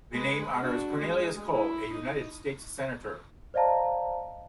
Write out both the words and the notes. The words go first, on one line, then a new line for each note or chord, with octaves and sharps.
The name honors Cornelius Cole, a United States Senator.
G#3 B4
D4 F#4
G#3
E4
D#4
C5 D5 D#5 F5 A5 A#5